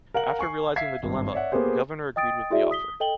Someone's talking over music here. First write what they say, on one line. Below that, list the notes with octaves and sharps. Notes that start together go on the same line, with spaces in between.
After realizing the dilemma, the governor agreed with the offer.
A#4 F5 F#5 F#7
G#5 C#6 C7
E5 F5 G#6 B6 C7
G#1 G2
C#5 D5 E5 F#5
A#3 B3 G4 G#4 C5
D#5 G5 D#6 A6 D7
E4 F#4 G#4 D5 E5
D#6 B6 G7
A4 D#5 G5 F#7 G7